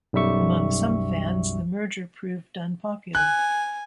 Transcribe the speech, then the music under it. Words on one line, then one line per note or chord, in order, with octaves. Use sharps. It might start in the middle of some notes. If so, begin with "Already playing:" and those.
Among some fans, the merger proved unpopular.
B1 F#2 G3 E5 C#6
G#5 F#6